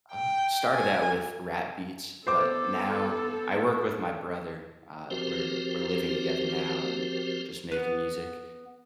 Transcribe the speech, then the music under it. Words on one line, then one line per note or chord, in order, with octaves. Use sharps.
Uh, started out with rap beats, but now I work with my brother. Uh, we're we're living together now and just making music.
G5
G#5
B3 A4 C5 D6
F3 C4 F#4 G4 A#4 C5
B3